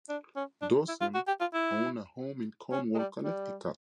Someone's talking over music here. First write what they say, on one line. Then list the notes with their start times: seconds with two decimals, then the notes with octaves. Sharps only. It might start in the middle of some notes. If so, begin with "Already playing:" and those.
Dorsen owned a home in Cornwall, Connecticut.
0.09 D4
0.36 C#4
0.61 D4
0.88 E4
1.01 F4
1.14 F#4
1.27 G4
1.40 F4
1.53 E4
2.72 C#4
2.94 G#3
2.98 G3
3.24 G3